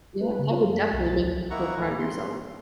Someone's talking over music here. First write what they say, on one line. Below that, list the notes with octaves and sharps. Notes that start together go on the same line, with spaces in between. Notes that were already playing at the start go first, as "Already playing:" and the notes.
Yeah, that would definitely make you feel proud of yourself.
B4
C#3
F4
F#2
B6
B1
A6
C#2
D#3 A#3 E4 F#5 A#5 C#6
A2 D#3 E3
C6